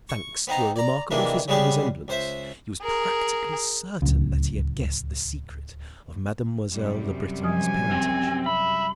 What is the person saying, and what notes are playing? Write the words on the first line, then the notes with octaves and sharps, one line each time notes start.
Thanks to a remarkable physical resemblance, he was practically certain that he had guessed the secret of Mademoiselle Le Breton's parentage.
C#6
B3 C4 D#4 A#5
D5 A#5
C3 D#3 E3 G#3 A#3 D4
C#3 G3 G#3 B3 G4 G#4
C#2 C5 E5
G#4 A#4
D1 C#2
F#2 C3 G3
F3 G#5 D#6
C4
E5 B5